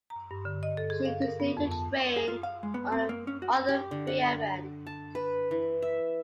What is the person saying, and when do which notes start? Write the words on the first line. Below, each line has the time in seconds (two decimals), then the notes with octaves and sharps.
She continued to train on the other three events.
0.10 A#5
0.31 G2
0.45 D3
0.63 D#5
0.77 A4
0.90 G#4
1.05 F5
1.22 A#4
1.40 B3
1.57 F2
1.72 A5
2.16 G#4
2.28 F4
2.43 F5
2.63 G#3
2.74 B3
2.92 C4
3.09 A#3
3.27 C#4
3.42 F#4
3.69 G4
3.91 D3
4.07 F#5
4.87 A5
5.15 B4
5.51 E3
5.82 E5